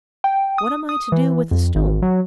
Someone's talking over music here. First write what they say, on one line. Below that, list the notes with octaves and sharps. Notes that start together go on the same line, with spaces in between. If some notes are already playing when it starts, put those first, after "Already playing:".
"What am I to do with a stone?"
G5
D#6
D#6
E3
F2
G#1
F#3